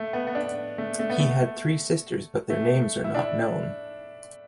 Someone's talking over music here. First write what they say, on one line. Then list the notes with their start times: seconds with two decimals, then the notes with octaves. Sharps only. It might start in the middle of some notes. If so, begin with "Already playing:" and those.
He had three sisters, but their names are not known.
Already playing: A3
0.13 B3
0.27 B3
0.35 D4
0.78 A3
0.99 A3
1.10 B3
1.20 A3
2.50 A3
3.04 E4
3.15 D4